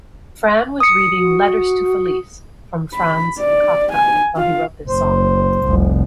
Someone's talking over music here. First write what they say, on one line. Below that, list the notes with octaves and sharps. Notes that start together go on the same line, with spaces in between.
Fran was reading Letters to Felice from Franz Kafka while he wrote this song.
D#6 C#7
F#4
B5
D5
G#5
F4 F5
F#1 C5
F1 C2